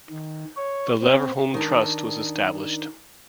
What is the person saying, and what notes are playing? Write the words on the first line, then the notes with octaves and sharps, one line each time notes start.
The Leverhulme Trust was established.
D#3
C#5
C4
D#3 D4